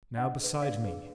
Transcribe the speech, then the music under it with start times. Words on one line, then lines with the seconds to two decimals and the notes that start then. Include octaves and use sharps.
Now beside me!
0.17 D4 D#5 F#5
0.40 G#4 B4
0.62 D4 D5 F5
0.84 G#4 B4